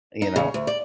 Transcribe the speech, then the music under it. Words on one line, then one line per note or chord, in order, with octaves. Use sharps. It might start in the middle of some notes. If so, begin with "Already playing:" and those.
you know,
D#4
C#3
D2
D5